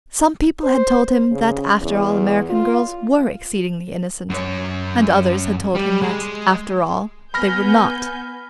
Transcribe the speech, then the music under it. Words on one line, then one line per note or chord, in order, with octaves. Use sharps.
Some people had told him that, after all, American girls were exceedingly innocent; and others had told him that, after all, they were not.
C5
C#3
E2
F4
F#2 C#5
G3
G#3
B3 G#5 B5 F6 G6 A#6